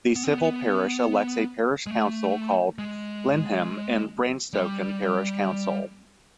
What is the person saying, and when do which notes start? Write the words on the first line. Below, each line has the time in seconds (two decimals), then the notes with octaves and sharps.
The civil parish elects a parish council called Lyneham and Bradenstoke Parish Council.
0.16 B3
0.24 C4
0.32 B3
1.87 G#3
1.91 A3
2.78 G#3
4.53 G3